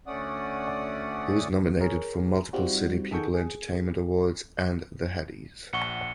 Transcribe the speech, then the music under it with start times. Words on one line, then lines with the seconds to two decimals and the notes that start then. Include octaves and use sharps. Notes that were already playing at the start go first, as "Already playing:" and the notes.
He was nominated for multiple City People Entertainment Awards and The Headies.
0.07 D2 A3 C#4 D5 F#5 D#6
1.81 G#4 A#4 C#5
2.53 G3 C4 D#4 F4 F#4
3.11 D#3 G#4 A4 F#5 C#6 G6
3.34 G#4
5.73 A#1 F#5 C#6 C#7 G7